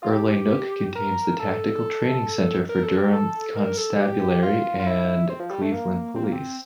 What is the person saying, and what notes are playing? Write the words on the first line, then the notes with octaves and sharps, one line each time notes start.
Urlay Nook contains the Tactical Training Centre for Durham Constabulary and Cleveland Police.
F4
G4
A#4
A4
A#4
A4
G4
A4
A#4
A4
G4
F4
F4
E4
C4
F3
G3
A3
A#3
C4
A#3
C4